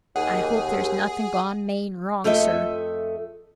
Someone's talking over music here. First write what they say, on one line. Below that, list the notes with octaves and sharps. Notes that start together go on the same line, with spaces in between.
I hope there's nothing gone main wrong, sir.
D#2 G#4 F#5
F2 A3 A4 D#5 E5